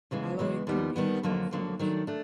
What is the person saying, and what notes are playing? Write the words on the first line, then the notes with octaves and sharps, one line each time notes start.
Alloy can be hot formed.
E2 C#3 E3 G#3
E2 C#3 E3 G#3
D#2 D#3 G3 B3
D#2 D#3 G3 B3
F2 D3 F#3 A#3
F2 D3 F#3 A#3
D#3 F#3 A3 D4
A3 D4